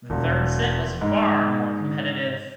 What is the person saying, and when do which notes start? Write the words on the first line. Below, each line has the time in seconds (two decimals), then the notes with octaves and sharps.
The third set was far more competitive.
0.10 E1
1.01 G#2